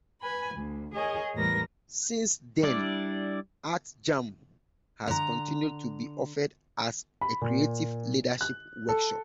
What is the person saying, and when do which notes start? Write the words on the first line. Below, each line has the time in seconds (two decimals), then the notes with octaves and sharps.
Since then, "Art Jam" has continued to be offered as a creative leadership workshop.
0.21 B4 G#5 B5
0.54 D2
0.94 G#4 A#4 C#5 D#5 G#5
1.34 E2 A2 G3 A#4 B4 A#6
2.63 G3 D4 E4 D5
5.08 D3 A#5
7.21 B5
7.42 A#2
8.41 F#6
8.89 A4